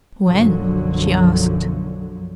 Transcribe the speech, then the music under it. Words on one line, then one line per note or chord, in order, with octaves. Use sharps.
"When?" she asked.
B1 F#2 D3 F3 F#3